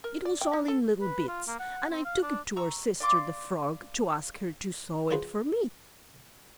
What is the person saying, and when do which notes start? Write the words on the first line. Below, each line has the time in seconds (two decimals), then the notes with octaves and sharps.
'It was all in little bits, and I took it to our sister the frog to ask her to sew it for me.
0.04 A#4
0.25 D5
0.41 G5
0.53 D#4
0.68 A4
1.01 B4
1.28 F4
1.47 A#3
1.59 F#5
1.90 C4
2.05 F5
2.22 D4
2.56 A#5 C#6 E6
3.00 D5 F5 C6 D6
5.11 F#3 F4 G#4 B4 C5